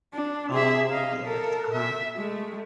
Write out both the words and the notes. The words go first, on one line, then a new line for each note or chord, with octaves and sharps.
Oh, yes, uh-huh.
D4
G#4 E5
D#5 F5
A4 A#4
E5
G#3 A3